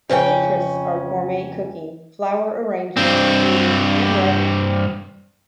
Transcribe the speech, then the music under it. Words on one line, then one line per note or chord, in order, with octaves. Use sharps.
Her interests are gourmet cooking, flower arranging, reading, and writing.
F2 C#3 C#4 G5
G2 C4